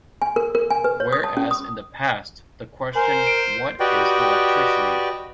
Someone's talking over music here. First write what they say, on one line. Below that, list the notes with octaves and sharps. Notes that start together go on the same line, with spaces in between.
Whereas in the past the question What is electricity?
G#5
A#4
A#4
G#5
B4
C#5
D#6
A5
C#4
D#6
A#4 C5 G#5
D7
F#4 G4 B4 D5 D#5 G5